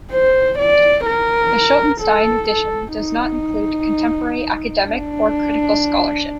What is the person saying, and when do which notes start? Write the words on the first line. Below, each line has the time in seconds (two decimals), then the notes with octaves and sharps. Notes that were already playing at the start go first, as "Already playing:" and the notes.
The Schottenstein Edition does not include contemporary academic or critical scholarship.
0.11 C5
0.59 D5
1.06 A#4
2.01 A4
2.49 A4
2.96 D#4
4.85 D4